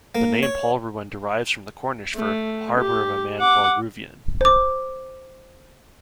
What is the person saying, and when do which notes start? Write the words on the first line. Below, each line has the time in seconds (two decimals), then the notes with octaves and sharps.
The name Polruan derives from the Cornish for "harbour of a man called Ruveun".
0.15 A#3
0.43 C#5
2.15 A3
2.80 G4
3.39 F#5 D6
4.41 C5 D6